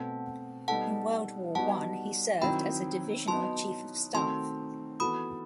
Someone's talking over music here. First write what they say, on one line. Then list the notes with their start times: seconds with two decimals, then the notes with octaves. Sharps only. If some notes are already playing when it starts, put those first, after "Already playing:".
In World War One he served as a divisional chief of staff.
Already playing: B2 A3 C4 F#5 A5
0.68 G3 B3 D#4 A4 F#5 A5
1.55 G3 B3 D#4 F#4 F#5 A5
2.41 D#3 F#3 C4 E4 G5 B5
3.28 F#3 B3 D#4 A5 C6
4.14 D#3 A3 C4 F#4 A5 C6
5.00 E3 B3 F#4 A4 B5 D#6